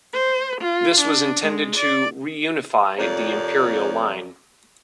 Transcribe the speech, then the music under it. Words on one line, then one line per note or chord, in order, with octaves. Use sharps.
This was intended to reunify the Imperial Line.
C5
F4
D4
G#3
D5
F2 C3 F3 A#4 C#5 D5